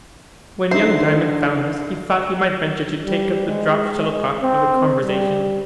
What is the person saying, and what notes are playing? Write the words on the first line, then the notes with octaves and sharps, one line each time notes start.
When young Diamond found this, he thought he might venture to take up the dropt shuttlecock of the conversation.
D3 D#4 E4 C5 C7
G3
G#3
G#3
C4
G3